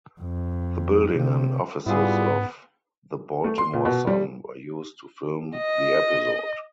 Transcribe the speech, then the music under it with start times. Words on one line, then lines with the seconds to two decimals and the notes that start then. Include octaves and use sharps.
The building and offices of "The Baltimore Sun" were used to film the episode.
0.21 F2
1.16 C3
1.86 G#2 G3 B3 E4 F4 G#4
3.44 A3
3.58 C6
3.74 A#2
3.85 B2
4.07 G3
5.57 D#5